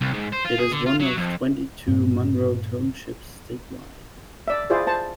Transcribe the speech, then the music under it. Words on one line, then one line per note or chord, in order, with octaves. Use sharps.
It is one of twenty-two Monroe Townships statewide.
C2
G#2
C5
F4
G#4
D3
F4
F#3
F2
G2 A#2
D5 E5
E4 F4 G#4 C5 D5
C5 A5